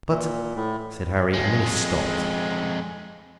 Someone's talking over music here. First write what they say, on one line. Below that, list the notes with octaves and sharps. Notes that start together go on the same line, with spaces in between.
"But--" said Harry, and then he stopped.
A#2
A2
F2 G#3